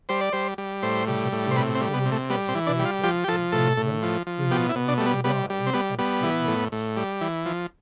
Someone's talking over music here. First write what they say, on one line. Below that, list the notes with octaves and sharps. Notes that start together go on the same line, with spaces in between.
It has been recorded as a vagrant in England, Greenland, Hawaii, and the Azores.
G3 C5
D5
G3 C5
G3
A2 C5
G3
A2
C5
C3 B4
C4
G3
B3
C3
A3
G3 B3
C4
E3
D4
G3
F4
F3 G4
G4
F3 A4
A2 A4
A2
F3
F3
B2 G4
E4
B2
D4
G3 A3
B3
G3 B3
G3
C4
G3 B3
G3 B3
E3
A2
A2
G3
E3
F3